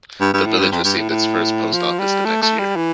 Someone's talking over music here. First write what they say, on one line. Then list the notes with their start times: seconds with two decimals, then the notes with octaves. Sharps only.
The village received its first post office the next year.
0.21 G2
0.33 G2
0.46 A2
0.59 G2
0.72 F2
0.85 G2
0.98 A2
1.10 A2
1.73 F3
1.99 G3
2.25 A3
2.42 A3
2.59 G3
2.76 E3